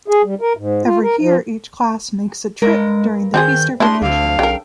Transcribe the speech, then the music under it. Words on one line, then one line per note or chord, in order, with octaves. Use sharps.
Every year each class makes a trip during the Easter vacation.
G#4
G3
A#4
G#2
F4
A#4
F3
G2 G#3 A#4
D#3 C4 G4 G#4 G6
G#3 A3 D4 E4 C6
D2 D3 C4 F5
B1 C#3 A#4 G5